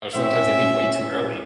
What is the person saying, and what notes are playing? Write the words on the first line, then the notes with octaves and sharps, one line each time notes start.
or sometimes they leave way too early.
A2 C4 C#4 E5